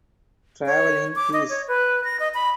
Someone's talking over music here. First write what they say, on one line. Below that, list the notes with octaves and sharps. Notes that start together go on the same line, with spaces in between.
Travel in peace.
C#5
D6
D#5
C#5
B4
A#6
D#5
B5